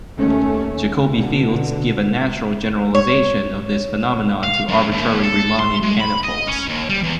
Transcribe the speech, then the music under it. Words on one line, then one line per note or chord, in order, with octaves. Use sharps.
Jacobi fields give a natural generalization of this phenomenon to arbitrary Riemannian manifolds.
D#2 A3 C#4
B2 D3
C#5
F5
F#2
D#2
A4
C6
G#3
B5
D#5
C#4
D#2
G3
E2